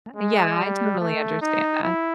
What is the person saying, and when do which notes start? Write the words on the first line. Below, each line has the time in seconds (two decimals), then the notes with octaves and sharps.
Yea Yeah I totally understand that.
0.16 G#3
0.57 G3
0.99 A3
1.41 D#4
1.83 E4